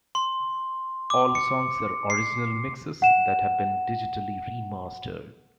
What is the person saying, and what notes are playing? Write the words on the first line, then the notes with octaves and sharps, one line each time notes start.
All songs are original mixes that have been digitally remastered.
C6
D6
C#7
C7
F#5 E7